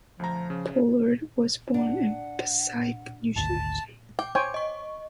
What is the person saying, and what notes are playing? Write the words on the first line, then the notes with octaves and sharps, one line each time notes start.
Pollard was born in Passaic, New Jersey.
D2 F3 A#5
C#3
D4 F#5
G#1 D2 A5
G5 D6
C5 C#5 G5 G#5
D#5 C#6